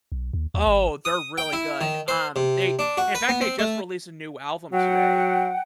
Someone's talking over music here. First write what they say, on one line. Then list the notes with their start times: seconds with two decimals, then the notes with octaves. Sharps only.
Oh, they're really good. Um, they in fact, they just released a new album today.
0.12 B1
0.33 D#2
0.54 D#2
0.67 G#1
1.05 D#6
1.38 G5
1.53 E4
1.81 D#3
2.08 C5
2.36 C3
2.79 D4
2.97 F#4
3.15 B4
3.29 B3
3.41 C4
3.59 A3
4.72 F#3 F#5 G5